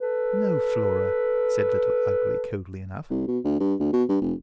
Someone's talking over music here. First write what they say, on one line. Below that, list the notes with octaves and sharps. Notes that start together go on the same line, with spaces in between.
"No, Flora," said Little Ugly, coldly enough.
A4 B4
C2
B2
D2
G2
D2
B2
G2
F1